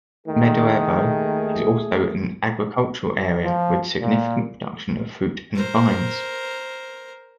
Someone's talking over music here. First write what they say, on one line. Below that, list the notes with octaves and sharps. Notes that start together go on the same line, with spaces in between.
Smederevo is also an agricultural area, with significant production of fruit and vines.
D#2 D#3 A3 G#4
F3
A#2
A#4 C5